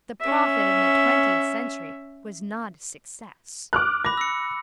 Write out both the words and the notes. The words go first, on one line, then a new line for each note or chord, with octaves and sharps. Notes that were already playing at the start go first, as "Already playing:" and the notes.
The Prophet in the twentieth century was not a success.
C#4 E5
D6 F6 F#6
B5 D6 A#6
E6 C#7